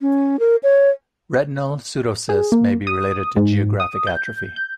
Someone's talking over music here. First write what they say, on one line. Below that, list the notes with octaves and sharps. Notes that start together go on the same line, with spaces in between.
Retinal pseudocysts may be related to geographic atrophy.
C#4
A#4
C#5
G#4
A#3
D#6
G#2
D#6
G6
G6